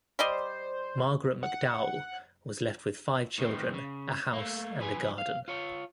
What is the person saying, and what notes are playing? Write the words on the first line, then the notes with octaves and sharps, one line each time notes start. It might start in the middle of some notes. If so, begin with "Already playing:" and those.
Margaret McDowell was left with five children, a house and a garden.
G3 C5 D5 D#5
F#5
A2 D#3 E3 C4
C#3
A3 A#3
C2 F3 B4 G#5
F5
F4 C#5